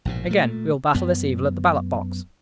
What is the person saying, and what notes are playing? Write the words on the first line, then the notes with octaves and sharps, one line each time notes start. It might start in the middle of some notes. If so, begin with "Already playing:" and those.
Again, we will battle this evil at the ballot-box.
A#1 G#2 B2
A#2 A3
F#2 B3